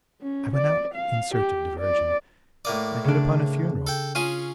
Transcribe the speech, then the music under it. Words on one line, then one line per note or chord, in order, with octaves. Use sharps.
I went out in search of diversion, I hit upon a funeral.
C#4
D5
F5
G4
D5
A2 A#3 D5 D#6
C#3 D4
A4 G5
C#4 F4 G#4 D#7